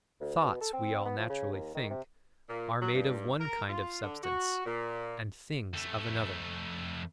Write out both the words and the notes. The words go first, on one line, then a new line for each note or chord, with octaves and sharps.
Thoughts, we all naturally think, are made of one kind of substance, and things of another.
D2
B2
A4
C4
B3
F3
C#3
D#2
D#3
C3
A#2
F#3
G2
A#4
F4
D3
F#4
A#2
F2 A3